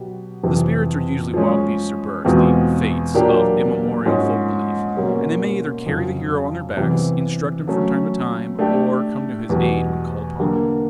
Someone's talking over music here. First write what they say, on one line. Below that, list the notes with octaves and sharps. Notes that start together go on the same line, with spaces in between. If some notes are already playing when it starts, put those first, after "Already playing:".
The spirits are usually wild beasts or birds--the "fates" of immemorial folk belief--and they may either carry the hero on their backs, instruct him from time to time, or come to his aid when called upon.
Already playing: B2 F#3 B3 G4
F2 C3 E3 G3
F3 G#3 C#4
E2 B2 G#3 C4 F4
A#2 F#3 A#3 D4 G4
G#2 F3 G#3 C#4
B2 G3 A#3 C#4
F2 C#3 F#3
C3 E3 G3 B3
F#3 A3 C#4
A3 D4 G4
E2 B2 G3
D3 G3 A#3